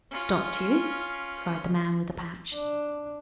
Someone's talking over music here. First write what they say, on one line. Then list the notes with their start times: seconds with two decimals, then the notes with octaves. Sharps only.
"Stopped you?" cried the man with the patch.
0.11 C#4 F4
2.54 D4